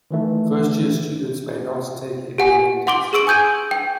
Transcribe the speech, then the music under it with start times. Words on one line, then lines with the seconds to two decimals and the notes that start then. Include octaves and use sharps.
First-year students may not take any electives.
0.11 D#3 E3 A3
2.38 G4 F#5 G#5
2.87 F#5 C6 D6 D7 G7
3.13 G#4 C#6 E6 D7 F#7
3.27 G#5 D#6 G6 G#6 D#7
3.71 G5